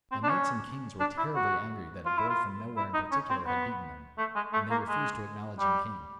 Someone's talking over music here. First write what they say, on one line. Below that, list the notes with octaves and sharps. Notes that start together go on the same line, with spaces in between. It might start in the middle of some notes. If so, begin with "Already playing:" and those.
The knights and kings were terribly angry that a boy from nowhere in particular had beaten them, and they refused to acknowledge him king.
C4
D4
C#4
D4
E4
F#4
F4
E4
F4
E4
D#4
C#4
C4
B3
A3
G#3
A3
A#3
G#3
G3